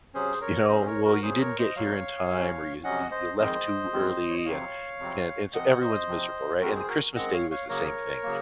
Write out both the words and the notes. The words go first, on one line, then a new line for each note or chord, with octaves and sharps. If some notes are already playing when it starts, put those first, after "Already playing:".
You know, "Well, you didn't get here in time, or you you you left too early, and you can" And so everyone's miserable, right, and the Christmas Day was the same thing.
C3 F#3 C#4 G#4 C5
A#4 C#5
C3 F#3 C#4 C5 D#5
A#4 C#5
F#4 A#4
F2 C3 F#3 G#4 C5
A#4 C#5
C5 D#5
F2 C3 F#3 C#5 F5
F2 C3 F#3 C#4
F2 C3 F#3 C#4 D#5 F#5
C5 D#5
F2 D#3 G#3 C4 C5 D#5
F2 D#3 G#3 C4
C#5
D#5
F2 C3 F#3 C4 C#5 F5
F2 C3 F#3 C4
C3 F3 C4 D#5 F#5
C5 D#5
C3 F3 C4
F#2 D#3 G#3 C4 F#4 A#4
G#4 C5
F#4 A#4
F#2 D#3 G#3 C4 D#5 F#5
C#5 F5
C#5 F5
C#3 F#3 A#3 A#4 C#5
C#3 F#3 A#3